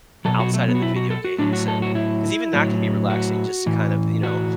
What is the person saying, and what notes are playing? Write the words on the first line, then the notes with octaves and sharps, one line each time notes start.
outside of the video games and 'cause even that can be relaxing just to kind of, you know,
B2 F#3 A4
F#4
A3
B3
F#4
E4
F#4
A4
F#4
A2 F#3 D4
F#4
A4
F#4
E4
A2 F#3
F#4
A2 E3
F#4